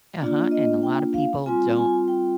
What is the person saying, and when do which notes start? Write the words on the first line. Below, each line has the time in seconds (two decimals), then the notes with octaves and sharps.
Uh-huh, and a lotta people don't
0.20 A#3 D4 F4 D5
0.51 D#5
0.83 G5
1.14 F5
1.46 G3 C4 F4 G#5
1.77 G#5
2.08 G5